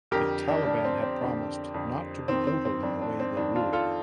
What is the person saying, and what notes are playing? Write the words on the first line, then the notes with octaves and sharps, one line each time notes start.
The Taliban had promised not to be brutal in the way they rule.
F2 D3 G4 A#4
D4
F2 D3 D4
C4
C4
F2 D3 D4
F2 D3
F2 D#3 C4
C4
C4
F2 D#3 D4
D4
C4
F2 D#3 D4
D4 F4
F4 A4